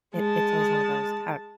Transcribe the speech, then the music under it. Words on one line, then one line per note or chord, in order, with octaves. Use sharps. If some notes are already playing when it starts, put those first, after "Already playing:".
it it's always one of those har m m
G#3 A5